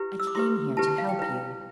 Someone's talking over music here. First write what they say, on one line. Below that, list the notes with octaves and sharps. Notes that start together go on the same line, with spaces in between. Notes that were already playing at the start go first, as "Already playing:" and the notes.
I came here to help you.
Already playing: E4 G4 B4
E6
D6
E4 G4 B4 C6
E4 G4 B4 A5
A5
F5
G5
E4 B4